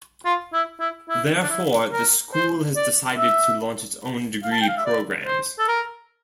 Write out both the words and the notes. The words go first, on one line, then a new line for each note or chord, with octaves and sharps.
Therefore, the School has decided to launch its own degree programmes.
F4
E4
E4
E4
D4
E4
A#4
C5
D5
E5
F5
A5
G5
F5
E5
D5
C5
A4
A#4